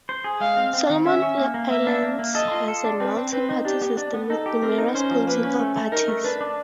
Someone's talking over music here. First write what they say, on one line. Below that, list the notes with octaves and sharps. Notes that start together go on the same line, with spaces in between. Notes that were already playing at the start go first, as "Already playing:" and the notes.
Solomon Islands has a multi-party system with numerous political parties.
C5
G#4
G#3 F5
C4
C4
D#3
C#4 E5
C#4
A#3
A#3
A#3 E5
D4
A#3
A#3
A4 D#5
F4
A4
D4
C4 B4
C4
C4 B4
D#4
D4 G4
B3
D4
B3
D#4 A4
G4
C4 A#4
D#4
C#4 C5
F3
A#3 B4
C#4
A3
A3
D#4 A#4
A3
D4 B4
D4